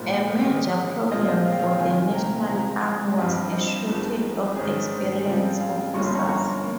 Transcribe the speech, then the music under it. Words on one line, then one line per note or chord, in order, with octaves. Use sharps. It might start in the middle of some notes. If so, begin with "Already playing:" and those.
A major problem for the National Army was a shortage of experienced officers.
Already playing: A#1 G#2 G3 A#3 F4 C5 G5
D#3 G#3 D#4 G4
A#2 F3 G#3 C4 F4 D#5
F5
C5 D#5
F5
G5
C#5 F5
C2 C3 D#3 F5 G#5
G5 A#5
C3 F3 G#3 G5 A#5
G2 F3 C4 G4 D#5 G5
C5 D#5
G#1 G#2 F3 G#3
G#2 D#3 G#3 C#4 G#4 C5
C5
C#3 F3 G#3 C4 F4 D#5 G5
F5 G#5
G1 G2 F3 A#3 C#4 C#6
C6
A#5 C#6
A#5 C#6
A#3